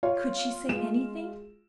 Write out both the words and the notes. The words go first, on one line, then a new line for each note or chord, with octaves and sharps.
Could she say anything?
F4 C#5
G#3 E7